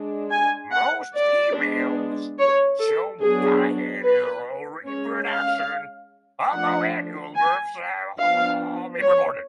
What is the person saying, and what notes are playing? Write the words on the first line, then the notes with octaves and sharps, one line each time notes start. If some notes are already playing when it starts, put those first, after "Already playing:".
Most females show biennial reproduction, although annual births have been reported.
Already playing: G#3 D4
G#5
F#5
D5
G#3 B3 D4
C#5
A4
F#3 B3 D4 G#4
B4
G#3 C#4 C#5
F5
F3 A3 D4 F#5
G#5
F3 B3 D4 F5
C#5